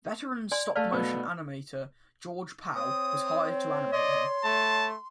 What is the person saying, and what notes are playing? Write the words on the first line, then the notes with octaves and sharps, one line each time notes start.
Veteran stop-motion animator George Pal was hired to animate him.
D5 G#5 C6
A3 D5 F5 A5 F6
B2 A3 B3
C4 C#5 D#6
D5 D#5 C6
A3 A5